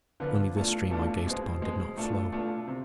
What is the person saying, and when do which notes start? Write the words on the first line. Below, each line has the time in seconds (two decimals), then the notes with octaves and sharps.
Only this stream I gazed upon did not flow.
0.20 D3 F3 B3 F4
0.55 B2 A3 D4 F4
0.90 B2 A3 D4 F4
1.26 B2 G#3 C4
1.61 B2 G#3 C4
1.97 B2 A3 D4 F4
2.32 B2 A3 D4 F4
2.67 C3